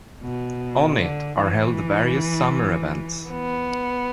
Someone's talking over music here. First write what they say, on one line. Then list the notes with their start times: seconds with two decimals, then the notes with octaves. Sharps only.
On it are held various summer events.
0.21 B2
0.98 D3
1.37 E3
3.30 B3